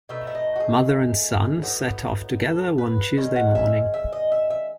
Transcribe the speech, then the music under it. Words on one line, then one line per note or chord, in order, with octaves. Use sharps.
Mother and son set off together one Tuesday morning.
B2 A3 D#4 E5
E5
D#5
F#4
G#4
A2 F#3 B3 D#4
A4
B4
D#3 G#3 C#4
F#5
E5
E5
D#5
E5
E5